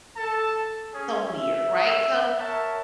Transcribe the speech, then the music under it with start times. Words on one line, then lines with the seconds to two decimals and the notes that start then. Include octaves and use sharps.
So weird, right? So,
0.17 A4 A5
0.93 C#4 G#4
1.30 E5
2.38 A#4 C#5 E5 F#5 A5